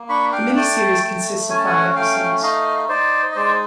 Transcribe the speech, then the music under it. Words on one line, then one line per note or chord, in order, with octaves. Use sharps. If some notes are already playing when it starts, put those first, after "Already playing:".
The mini-series consists of five episodes.
Already playing: A#3
D4 B5 C#6
F5 G5
A3 G5 A5
A3
C#4 G#5
A5
F#5 G#5
A3 F5 G5
D#4 D#5 F5
D#4 C5 D5
D#5
G#3 C5 D5